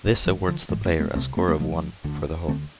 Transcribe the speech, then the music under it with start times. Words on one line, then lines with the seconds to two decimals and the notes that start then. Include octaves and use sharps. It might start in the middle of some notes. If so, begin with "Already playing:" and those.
This awards the player a score of one for the hole.
0.25 A1 G#2 E3
0.48 D3 F3
0.70 A1 G#2 E3 G#3
0.85 F3 A3
1.00 G#3 B3
1.15 C2 A3 C4
1.18 C3
1.37 A3 C4
1.48 G#3 B3
1.59 C2 C3 F3 A3
2.04 D2 D3
2.48 D2 D3 A3 C4